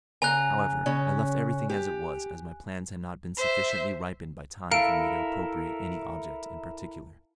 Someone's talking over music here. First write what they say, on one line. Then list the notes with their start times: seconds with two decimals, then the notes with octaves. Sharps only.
However, I left everything as it was, as my plans had not been sufficiently ripened by time for me to appropriate any object in particular.
0.22 C#3 G#5 A#5 F#6
0.86 C#3 C#4
1.70 G4
3.37 C5 E5
4.72 E4 A4 A#4 F5 D7